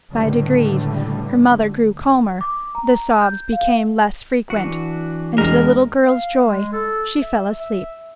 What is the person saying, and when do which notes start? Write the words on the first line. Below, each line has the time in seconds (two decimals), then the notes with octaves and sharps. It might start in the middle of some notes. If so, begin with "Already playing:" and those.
By degrees her mother grew calmer, the sobs became less frequent, and, to the little girl's joy, she fell asleep.
0.10 C#2 A2 D3 G3 A3
2.41 D6
2.75 A#5
3.21 G6
3.52 F5
4.50 E3 D4 F#4 C#7
5.38 E1 G#3 A#4
6.05 F5
6.45 G#3
6.73 A4
7.22 E5
7.59 E5